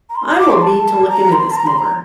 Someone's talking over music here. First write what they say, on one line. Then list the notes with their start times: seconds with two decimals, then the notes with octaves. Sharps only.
I will need to look into this more...
0.09 A#5
0.15 C6
0.39 D6
0.51 C6
0.63 A5
1.09 A#5
1.32 C6
1.51 A5
1.55 A#5
1.67 C6
1.78 A#5